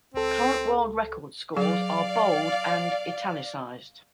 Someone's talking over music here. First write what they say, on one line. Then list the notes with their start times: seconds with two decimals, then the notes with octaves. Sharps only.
Current world record scores are bold and "italicized".
0.14 C#2 C4 A4
1.57 F#3 G#4 D5 F5